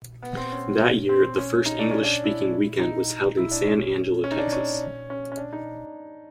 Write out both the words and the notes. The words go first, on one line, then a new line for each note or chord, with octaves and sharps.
That year the first English-speaking weekend was held in San Angelo, Texas.
B3
C4
C#4
C4
C#4
D#4
D4
C#4
D4
E4
D#4
E4
D4
C#4
C#4
D#4
D4
C#4
C#4
C#4
D4
D#4